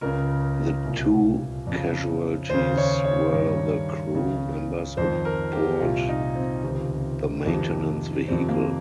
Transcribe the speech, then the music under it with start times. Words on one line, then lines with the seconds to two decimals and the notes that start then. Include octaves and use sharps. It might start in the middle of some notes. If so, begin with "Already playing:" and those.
The two casualties were the crew members aboard the maintenance vehicle.
0.01 C#2 C#3 A#4
0.85 C2 A#2
1.67 F2 C#3
2.49 D#2 C5
2.54 C#3
2.78 C#5
3.04 C#5
3.32 G2 D#3
4.15 C#2 C#3
4.97 F2 D#3 C5
5.25 A#4
5.53 G4
5.80 C2 A#2 F4
6.08 D#4
6.35 C4
6.63 C#2 C3 D#3
7.46 F2 C3 D#3
8.28 F2 C3 D#3 C4
8.49 A#3